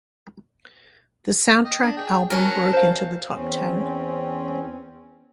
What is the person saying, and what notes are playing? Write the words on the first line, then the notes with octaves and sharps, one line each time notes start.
The soundtrack album broke into the top ten.
D#5 G5
D4
G#4 G5
F#3 C#4 A#4 A5
C5 F5
E2 C4 C#4